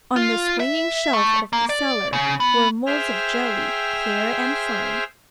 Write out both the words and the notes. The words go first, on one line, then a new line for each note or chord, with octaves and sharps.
On the swinging shelf of the cellar were moulds of jelly clear and firm.
F4
E5
A3
A#3
D5
C#3
B3
G#4 C5 E5 G5 F6